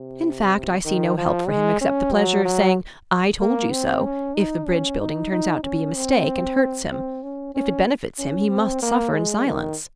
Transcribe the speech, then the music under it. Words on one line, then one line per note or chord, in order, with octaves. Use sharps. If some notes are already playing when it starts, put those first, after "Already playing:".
In fact, I see no help for him except the pleasure of saying 'I told you so' if the bridge-building turns out to be a mistake and hurts him; if it benefits him he must suffer in silence.
Already playing: C3
D#3
F3
G#3
C#4
F#3
F#3
A#3
C4
C#4
D#4
C#4
D#4
D#4
C#4
C4
C4
C#4
C#4
C#4
C4
A#3
G#3
D#3